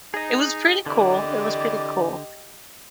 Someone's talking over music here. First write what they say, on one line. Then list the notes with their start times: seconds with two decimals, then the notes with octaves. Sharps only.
it was pretty cool, it was pretty cool.
0.14 D#4 G#4 D#5
0.86 C2 D3 E3 G4 D5 D#5